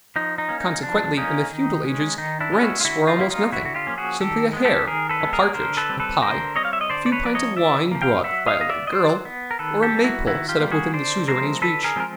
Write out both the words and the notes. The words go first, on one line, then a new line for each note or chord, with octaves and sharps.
Consequently, in the feudal ages, rents were almost nothing,--simply a hare, a partridge, a pie, a few pints of wine brought by a little girl, or a Maypole set up within the suzerain's reach.
F3 D#4
D#4
A#3 C#4
D#4
F3 D4
A#3 C#4 D#4
D#3
G#3 C#4
D#3 D#4
D4 E4
G#3 C#4
E4 F#4
F4
D3 E4 F#4
D#4 F4
F3 A#3 C#4 E4
D#4 F4
D3 E4 F#4
F#4
F4 G4
F3 A#3 C#4
F#4 G#4
D#3 G4 A4
G#3 B3
G4 A4
D#3 G#4 A#4
A4 B4
G#3 B3
G#4 A#4
D3 A#4 C5
A4 B4
G3 C4
A4 B4
D3 A#4 C5
G3 C4 C#5 D#5
F5
E5
D#5
D3 C5 D5
D5
B4 C#5
F3 A#3 D5
C#5 D#5
D3 D5 E5
F3 A#3
F5 G5
F#3 E5 F#5
D#5 F5
B3 D#5
D5 E5
D#5
F#3 C5 D5
B3
A#4
D#3 A4 B4
G4 A4
G3 A#3
E4 F#4
D#3 E4 F#4
F4 G4
G3 A#3
F#4 G#4
D3 C5 D5
F3 G#3 C4 A#4 C5
D3 A4 B4
G#4 A#4
F3 G#3 C4 A#4